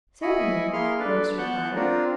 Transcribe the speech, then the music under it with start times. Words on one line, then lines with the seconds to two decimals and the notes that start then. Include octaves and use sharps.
"Certainly," Oakes replied.
0.22 E4 D#5 G#5 B5 C#6
0.73 A#3 E4 G#4 F5 C6 F6
1.00 D4 A4 B4 D5
1.38 B3 A5 C#6 F#6 G6
1.76 C4 D4 F4 A#4